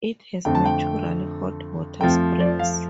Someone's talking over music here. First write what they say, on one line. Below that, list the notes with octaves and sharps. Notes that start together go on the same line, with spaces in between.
It has natural hot water springs.
F2 D3 A3 C4 G5
A5
G5
F2 F3 A3 C4 G5
D5
F5